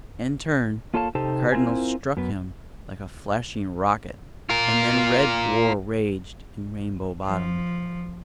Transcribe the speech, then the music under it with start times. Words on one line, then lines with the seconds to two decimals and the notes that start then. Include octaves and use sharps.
In turn the Cardinal struck him like a flashing rocket, and then red war waged in Rainbow Bottom.
0.94 A#3 F4 A4 C#5 F5 A5
1.15 C3 D#4 G4 A4 C5 A5
1.52 C4 E4 F4 A#4 C5 G#5
2.17 F#2 B3
4.49 F4 A#4
7.23 F3